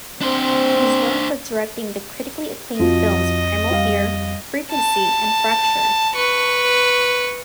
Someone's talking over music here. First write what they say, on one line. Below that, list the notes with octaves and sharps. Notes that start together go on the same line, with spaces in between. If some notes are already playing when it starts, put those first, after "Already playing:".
He is known for directing the critically acclaimed films "Primal Fear", "Frequency" and "Fracture".
C4 D4 C5
F2 F3 F#4 D#5
G3 F5
A5
B4 C#6